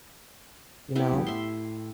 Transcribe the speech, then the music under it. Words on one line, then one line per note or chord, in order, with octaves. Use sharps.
you know?
B3 E4 G4
A#1 F#2 B2
A2 E5 C6